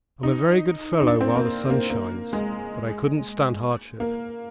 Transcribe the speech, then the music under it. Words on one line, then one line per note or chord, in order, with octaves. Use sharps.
I'm a very good fellow while the sun shines, but I couldn't stand hardship.
D#4
D#4
D4
C4
A#3
A#3
A#3
G#3
A#3